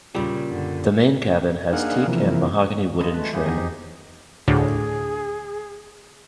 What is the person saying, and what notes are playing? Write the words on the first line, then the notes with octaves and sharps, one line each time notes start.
The main cabin has teak and mahogany wooden trim.
A#2 C#3 G3
F#2 D3
A#3 D4 D#4 G#4 F5 F#5
C3 E3 F3 A#3
C4 F4 A4 D#5 B5
G#3 A3 B4 A5
E3 G#3 D#4 G4 G#4 F#5
E2 E3 B3 D#5
F2 F3
D2 A2 D3 G#4